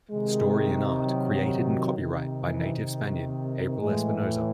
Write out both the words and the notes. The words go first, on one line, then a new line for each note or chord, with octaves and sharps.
Story and Art, Created and Copyright by native Spaniard, Abril Espinosa.
C3 D#3 G#3
F#3
C3 D#3
E3
A2 E3 G#3